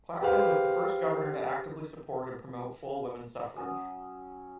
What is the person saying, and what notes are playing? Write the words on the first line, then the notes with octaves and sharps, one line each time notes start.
Claflin was the first governor to actively support and promote full women's suffrage.
G4 G#4 B4 C5 F5
F#3 C#4 D#6 E6